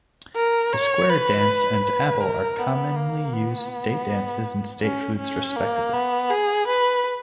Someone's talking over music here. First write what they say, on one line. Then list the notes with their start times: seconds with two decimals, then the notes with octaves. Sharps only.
The square dance and apple are commonly used state dances and state foods, respectively.
0.36 A#4
0.73 C#5
1.09 B4
1.84 B4
2.21 A#4
2.59 B3
2.96 A#3
3.33 B3
4.81 C#4
5.19 C#4
5.56 A#3
5.93 B3
6.30 G#4
6.67 B4